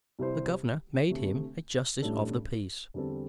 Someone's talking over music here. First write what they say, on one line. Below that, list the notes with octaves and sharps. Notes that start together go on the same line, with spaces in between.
The governor made him a justice of the peace.
C2 C3 G3 E4 C5
D2 C3 A3
A1 A2 G3 D4 A4
E2 D3 G3 C4 A4